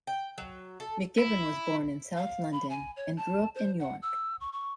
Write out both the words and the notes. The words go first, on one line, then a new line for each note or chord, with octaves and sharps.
McGivern was born in South London and grew up in York.
G5
F#3
A4
E4
F5
B5
G#5
C#5
A5
C5
F#5
E6
C#6
C#6